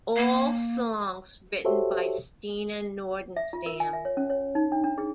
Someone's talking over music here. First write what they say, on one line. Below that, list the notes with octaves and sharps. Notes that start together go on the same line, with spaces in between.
All songs written by Stina Nordenstam.
A#3
F#4 G4 A4 C5 C#5 E5
E5
F4
A#4
G#5
E5
C#5
C#4
C#5
D#4
D4
D4
G#4